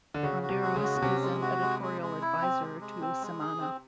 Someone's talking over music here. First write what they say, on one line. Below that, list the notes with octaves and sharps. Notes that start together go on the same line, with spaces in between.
Ronderos is an editorial advisor to Semana.
D3
C#3 F#4
F#4
C3
G#3
C#3
F#4
B2
C3 C#4
G#3
F#4
G#3
G#3
G#3
E4
C4
G#3
G#3
C4
G#3
G#4
C4